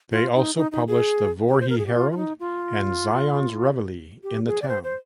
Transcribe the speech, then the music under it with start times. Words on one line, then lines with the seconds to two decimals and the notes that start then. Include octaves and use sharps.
They also published the "Voree Herald" and "Zion's Reveille" in the town.
0.11 F4
0.35 D#4
0.56 D#4
0.72 D#4
0.88 G#4
1.48 G4
1.60 C5
1.69 A#4
1.78 G#4
1.86 G4
1.94 F4
2.11 F4
2.17 D#4
2.40 F4
4.23 G4
4.46 G#4
4.62 D5
4.68 C5
4.84 C5